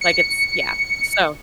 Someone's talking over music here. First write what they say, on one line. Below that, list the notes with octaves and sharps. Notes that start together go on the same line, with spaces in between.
like it's, yeah, so
C#7